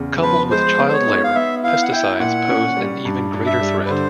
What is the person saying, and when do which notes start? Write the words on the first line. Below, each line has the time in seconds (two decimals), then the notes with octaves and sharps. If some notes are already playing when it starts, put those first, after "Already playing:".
Coupled with child labor, pesticides pose an even greater threat.
Already playing: E2 C#3
0.23 F3 B4
0.51 G#3 C5
0.79 B3
0.89 C5
0.93 C#5
1.07 D#4
1.24 F5
1.35 B3 E5
1.64 E4 F5
1.82 F#5
1.92 E4 G5
2.20 A#2 F#5
2.48 C#4
2.77 G3
3.05 G2
3.34 G2
3.47 E5
3.61 G3
3.86 B4
3.90 D3 C5